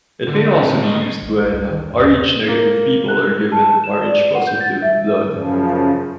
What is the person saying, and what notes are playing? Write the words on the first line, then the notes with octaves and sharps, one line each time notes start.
It may also be used when Rh negative people are given Rh positive blood.
D3
C4 G#4
D3 D#5
A1
C#2
D#3
G2
D#2
A#3
F#6
A5
E7
D5
F#5
G6
A6
E5
F#2 C#3 F3